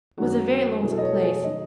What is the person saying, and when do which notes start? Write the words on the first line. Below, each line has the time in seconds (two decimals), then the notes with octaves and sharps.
It was a very lonesome place.
0.18 F#2 D#3 F#3 F#4
0.81 E2 B2 F#3 G#4
0.92 A4
0.98 D#5
1.02 C#5
1.13 A4
1.23 G#4
1.33 C#5
1.44 D#3 F#3 D#5